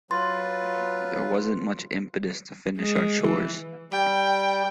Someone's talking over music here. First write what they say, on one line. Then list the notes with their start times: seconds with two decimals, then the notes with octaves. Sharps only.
There wasn't much impetus to finish our chores.
0.11 F#3 F4 B4 C6 A6
2.77 G#3
3.23 E3
3.92 G3 G5